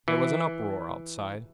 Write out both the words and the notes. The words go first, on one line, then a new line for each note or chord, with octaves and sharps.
There was an uproar outside.
E3